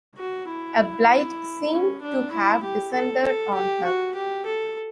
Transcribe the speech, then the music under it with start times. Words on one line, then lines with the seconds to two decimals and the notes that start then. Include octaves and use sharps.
A blight seemed to have descended on her.
0.17 F#4
0.48 E4
1.71 C#4
2.02 D4
2.32 E4
2.63 G4
2.93 A4
3.24 A4
3.54 G4
3.85 F#4
4.15 G4
4.46 A4